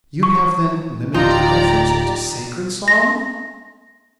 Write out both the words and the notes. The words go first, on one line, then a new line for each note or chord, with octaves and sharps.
"You have, then, limited your efforts to sacred song?"
C#6
D1 F3 D#4 F4 G4 D5 A#5
A#6